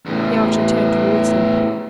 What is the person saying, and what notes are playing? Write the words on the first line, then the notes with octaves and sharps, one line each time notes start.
The archer turned towards him.
E2 A2